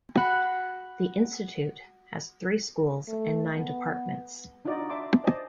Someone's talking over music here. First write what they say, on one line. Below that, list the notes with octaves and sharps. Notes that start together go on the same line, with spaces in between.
The Institute has three Schools and nine Departments.
F#4 F#5 B5
A3
B3
D4 D#4 F4 F#4 D5 D#5
D5 E5 A5 C6 D6
C5 D5 D#5 G#5 A5